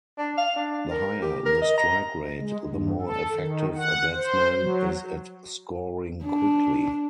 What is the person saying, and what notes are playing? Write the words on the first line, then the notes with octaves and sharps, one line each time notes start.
The higher the strike rate, the more effective a batsman is at scoring quickly.
D4
F5
D4
A#4
G4
A#4
D#5
A#5
G#3
G2
A4
D#3
F#5
C5
F#3
D4